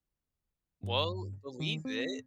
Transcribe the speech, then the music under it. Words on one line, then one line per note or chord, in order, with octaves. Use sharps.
Well, believe it.
G2
D#3
C4